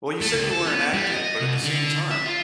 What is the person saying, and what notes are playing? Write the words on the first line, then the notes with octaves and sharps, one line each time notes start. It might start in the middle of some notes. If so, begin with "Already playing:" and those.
Well, you said you were inactive, but at the same time,
A3
C#2
A4
B3
G3
D#5
C2
D3
E5
F4